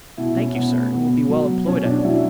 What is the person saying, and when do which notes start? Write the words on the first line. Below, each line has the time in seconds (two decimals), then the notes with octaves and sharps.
"Thank you, sir; it will be well employed, I hope."
0.17 B2 E4
0.36 C#4
0.55 B2 B3
0.73 A3
0.92 B2 B3
1.29 F#3
1.67 B2 C#4
1.85 D4
2.04 F#3 E4